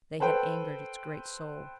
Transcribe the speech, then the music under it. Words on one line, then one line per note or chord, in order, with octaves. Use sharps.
They had angered its great soul.
A4 B4 C5 G5